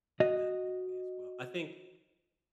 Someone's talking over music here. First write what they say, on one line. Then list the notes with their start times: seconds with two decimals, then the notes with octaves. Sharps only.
that movie, as well. I think
0.20 F#4 D#5